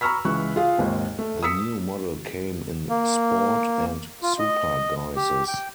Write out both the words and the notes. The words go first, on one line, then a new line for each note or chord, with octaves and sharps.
The new model came in "Sport" and "Super" guises.
A#5 B5 C#6 E6 F6 B6
C#2 E3 C#6 F#6
F4 G#4 F5
G#1 D#2 G#2
A3
D#6 E6 B6 C#7
A#3
F4
D#5
G4
G5